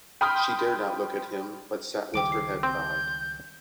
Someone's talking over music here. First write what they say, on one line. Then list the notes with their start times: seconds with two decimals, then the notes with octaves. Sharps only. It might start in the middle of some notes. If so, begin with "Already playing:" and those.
She dared not look at him, but sat with her head bowed.
0.21 G5 B5 C6 D#6 F6
2.14 C#2 D#3 G3 G5 D6 D7
2.32 C7
2.63 C4 G6